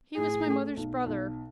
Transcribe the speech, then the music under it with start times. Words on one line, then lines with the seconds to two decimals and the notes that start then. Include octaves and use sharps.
He was my mother's brother.
0.17 A2 G#4
0.46 A3
0.77 B1
1.06 B1